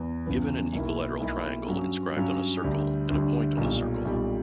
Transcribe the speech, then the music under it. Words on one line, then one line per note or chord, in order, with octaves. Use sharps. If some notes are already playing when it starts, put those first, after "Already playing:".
Given An equilateral triangle inscribed on a circle and a point on the circle.
Already playing: E2
E2 C#3 E3 B3
B1 B2 A#3 E4
B1 B2 A#3 E4
G2 F#3 C#4
G2 F#3 C#4
D2 D3 G3
D2 D3 G3
B1 A#2 G3
B1 A#2 G3